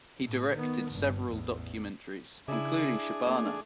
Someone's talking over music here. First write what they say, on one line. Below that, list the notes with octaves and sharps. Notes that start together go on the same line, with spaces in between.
He directed several documentaries, including Shabana!
A2
D#3 B3
G1 G2
A1 E2
C#3 D4 E4 G#4
A3 A#3